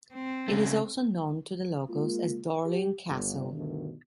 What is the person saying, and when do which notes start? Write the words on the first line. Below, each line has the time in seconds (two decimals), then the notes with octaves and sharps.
It is also known to the locals as "Dorlin Castle".
0.14 C4
0.48 C#3 A3
1.89 G#3 A#3 F4
2.65 G4
3.08 G1
3.52 D2 G2 B2 D3 D#3